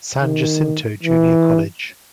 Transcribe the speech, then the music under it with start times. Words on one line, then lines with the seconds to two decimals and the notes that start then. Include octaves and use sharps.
San Jacinto Junior College.
0.20 D#3
1.03 E3